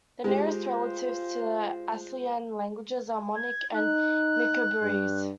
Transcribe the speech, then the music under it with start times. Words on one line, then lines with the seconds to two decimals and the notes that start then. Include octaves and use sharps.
The nearest relatives to the Aslian languages are Monic and Nicobarese.
0.24 G#3 F4 G4 C5
3.36 G#6
3.74 D#4 F#6
4.82 G2